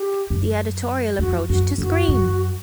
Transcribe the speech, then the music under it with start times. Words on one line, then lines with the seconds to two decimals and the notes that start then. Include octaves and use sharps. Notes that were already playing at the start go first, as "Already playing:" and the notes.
The editorial approach to Scream!
Already playing: G4
0.30 F#2
1.19 F2 F#4
1.49 F#2 F#4
1.78 F#2 F#4
2.08 F#2